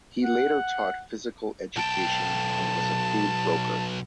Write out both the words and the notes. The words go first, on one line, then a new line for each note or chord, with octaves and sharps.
He later taught physical education and was a food broker.
F#5
B1 G5 A5